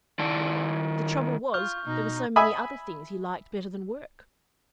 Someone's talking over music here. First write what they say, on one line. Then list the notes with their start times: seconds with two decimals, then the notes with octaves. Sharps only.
"The trouble was, there were so many other things he liked better than work."
0.19 D#3 E4 D5 A5
1.54 F4 C#6 F6 G6
1.85 B2 D#4 A#5
2.36 E5 G#5 B5 D#6